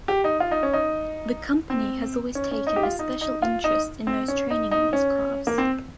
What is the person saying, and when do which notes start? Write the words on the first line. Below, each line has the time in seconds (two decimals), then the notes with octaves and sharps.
The Company has always taken a special interest in those training in these crafts.
0.08 G4
0.24 D#4
0.40 F4
0.51 D#4
0.63 C#4
0.73 D#4
1.70 C4
2.35 C#4
2.51 C#4
2.67 D#4
2.76 G4
2.83 F4
2.99 D#4
3.21 D#4
3.42 F4
3.64 D#4
4.07 C4
4.28 C#4
4.50 D#4
4.71 D#4
4.93 C#4
5.47 A#3
5.58 C4